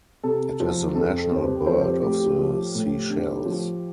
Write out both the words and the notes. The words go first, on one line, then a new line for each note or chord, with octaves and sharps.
It is the national bird of the Seychelles.
C3 A4
F3
F2 A4
A4
F2 C5
G4 B4
F3 A4 C5
C5
G4 B4
A2 G4
G4
F3
A2
D3
F3